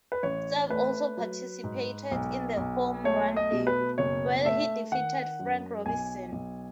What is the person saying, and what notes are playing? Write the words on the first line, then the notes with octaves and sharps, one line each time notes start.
Cerv also participated in the Home Run Derby, where he defeated Frank Robinson.
B4
A1 C#5
A3 B4
F#3
G#2
B1
B1
A3 C#5
D#5
B2
B4
F#1 C#5
A3 E5
D#3 F#5
F#2
B1 G#5
B1